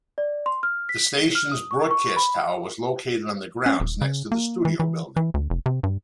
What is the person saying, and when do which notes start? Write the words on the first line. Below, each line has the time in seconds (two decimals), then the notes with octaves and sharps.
The stations' broadcast tower was located on the grounds next to the studio building.
0.18 D5
0.46 C6
0.63 F6
0.89 B6
1.17 G7
1.35 F6
1.52 D#6
1.71 C#6
1.91 C#6
2.17 B5
3.66 C#4
3.80 D#1
4.01 C#3
4.32 A#3
4.65 E3
4.80 E3
5.16 E3
5.34 D2
5.50 F1
5.66 C3
5.83 G2